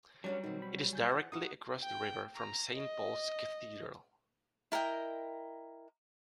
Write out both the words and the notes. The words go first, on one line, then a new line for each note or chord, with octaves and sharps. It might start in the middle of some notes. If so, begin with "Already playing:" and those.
It is directly across the river from Saint Paul's Cathedral.
F#3 G3 B3 C#4 D4
B2 D#3 C4
B5
G#5 G6 A6
E3 F#5
D#4 F#4 D#6
G5
A#5
D#5
E4 A#4 D#5 G5